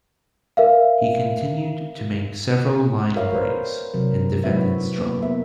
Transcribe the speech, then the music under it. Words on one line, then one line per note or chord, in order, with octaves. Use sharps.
He continued to make several linebreaks and defended strong.
A#4 E5 F5
F#4 A#4 C#5 E5 F5
B4 C5 D5
C3 F#3 A#4
F#3 C4 E4 F#4 B4 E5
A#3 B4
B3 A#4 E5